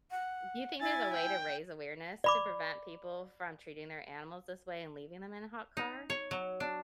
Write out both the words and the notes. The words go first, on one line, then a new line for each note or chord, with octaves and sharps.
Do you think there's a way to raise awareness to prevent people from treating their animals this way and leaving them in a hot car?
F#5
E4 G#5 A6
G5
D5 B5 D6
D#4
C#5
F#3
D4